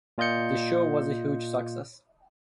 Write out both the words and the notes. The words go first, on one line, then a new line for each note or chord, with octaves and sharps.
The show was a huge success.
A#2 F4 D#5 G6 C#7